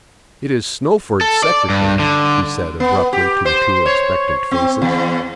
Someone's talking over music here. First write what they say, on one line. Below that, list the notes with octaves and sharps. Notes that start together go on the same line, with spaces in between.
"It is Snowford's secretary," he said abruptly to the two expectant faces.
A4
D5
G2
D3
B3
G4
C5
C#5
C4
E2